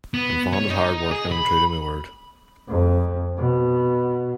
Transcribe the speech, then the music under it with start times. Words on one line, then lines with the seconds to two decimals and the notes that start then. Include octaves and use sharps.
I am fond of hard work, and am true to my word.
0.14 B3
0.53 C#5
0.70 D#4
1.11 G#4
1.32 B5
2.67 F2
3.37 B2